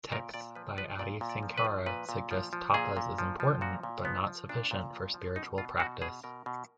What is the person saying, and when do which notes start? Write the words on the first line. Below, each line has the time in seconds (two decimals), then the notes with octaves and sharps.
Texts by Adi Sankara suggests "Tapas" is important, but not sufficient for spiritual practice.
0.12 A#2 A#4
0.34 A#2 D5
0.55 F3 B4
0.78 F3 B4
0.99 A#2 D5
1.21 A#2
1.29 D5
1.43 F3
1.58 B4
1.65 F3
1.86 A#2 B4
2.09 A#2
2.31 F3
2.53 F3
2.74 A#2 G#4
2.97 A#2
3.18 F3
3.40 F3
3.61 A#2 F#4
3.83 A#2
4.05 F3 B3
4.27 F3
4.49 A#2 D4
4.71 A#2
4.93 F3
5.14 F3
5.36 B2 D#4
5.58 B2 F4
5.80 B2 F#4
6.02 B2 G#4
6.23 B2 A#4
6.46 B2